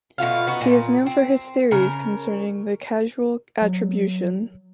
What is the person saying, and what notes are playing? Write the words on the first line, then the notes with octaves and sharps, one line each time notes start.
He is known for his theories concerning the causal attribution.
B2 A3 F4 F5
B3 D#4 F#4
A#2
C4
C#3 A#4
F#3